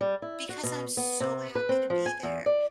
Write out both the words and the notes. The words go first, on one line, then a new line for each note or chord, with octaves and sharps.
because I'm so happy to be there,
G3
E4
F#4
B2
B3
C3
B4
C4
F3
G#5
E2
D5